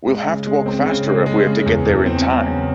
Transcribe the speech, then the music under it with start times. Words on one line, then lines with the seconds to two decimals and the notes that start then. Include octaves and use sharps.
We'll have to walk faster if we are to get there in time.
0.06 G#3
0.27 C#3
0.47 G#3
0.66 C4
0.86 C#3
1.06 G#3
1.26 G#3
1.46 C#3
1.66 E2
1.86 E2
2.06 C4
2.26 F#3
2.46 C#3